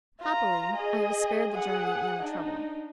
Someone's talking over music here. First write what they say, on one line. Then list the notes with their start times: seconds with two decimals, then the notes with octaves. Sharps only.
Happily, I was spared the journey and the trouble.
0.19 F4 A#5
0.74 G#4 D#5
1.51 G#4 F#5
2.22 D4 D#4